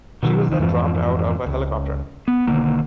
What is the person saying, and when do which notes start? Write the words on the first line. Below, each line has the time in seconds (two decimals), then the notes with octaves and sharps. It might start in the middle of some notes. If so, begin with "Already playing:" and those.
She was then dropped out of a helicopter.
0.23 B2 D#3 F3 F#3
0.48 C2 D#3
0.60 F2 G#2 E3 F3
1.46 C#2
2.28 B3
2.47 B1 D3 D#3 A#3